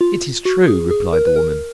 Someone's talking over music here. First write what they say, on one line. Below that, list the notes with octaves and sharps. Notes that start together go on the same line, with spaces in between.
"It is true," replied the woman.
F4
F#4
G#4
G#4
A#4
B4
A#4